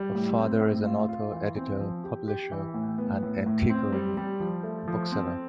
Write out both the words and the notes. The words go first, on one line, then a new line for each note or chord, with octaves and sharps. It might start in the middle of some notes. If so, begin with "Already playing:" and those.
Her father is an author, editor, publisher, and antiquarian bookseller.
Already playing: G3
A2
C4
A2
F4
F4
E3
C4
F3
G4
G4
E3
A2
B3
A2
A2
C4
G3
G3
F3
A3
F3
C4